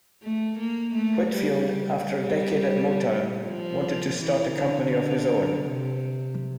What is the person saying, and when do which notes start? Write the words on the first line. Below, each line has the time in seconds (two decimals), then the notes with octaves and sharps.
Whitfield, after a decade at Motown, wanted to start a company of his own.
0.23 A3
0.59 A#3
0.95 A3
1.30 G3
2.02 G3
3.47 F3
4.19 E3
4.55 D3
4.91 D3
5.63 C3